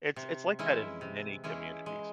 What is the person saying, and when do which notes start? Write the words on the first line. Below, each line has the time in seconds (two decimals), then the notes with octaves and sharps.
it's it's like that in many communities.
0.16 C3
0.59 E3 G#3 C#4 E4
1.01 C3
1.44 E3 G#3 C#4 E4
1.86 G#3